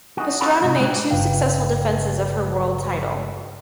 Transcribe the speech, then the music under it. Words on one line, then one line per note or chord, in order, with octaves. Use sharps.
Pastrana made two successful defenses of her world title.
D#4 F#4
C#4 D#4 F4 F#4 A4 B4
D#2 G#2 C3
B2 G#3 B3 D4 F4 G4
G1 G2 C#3 B4 F5 G5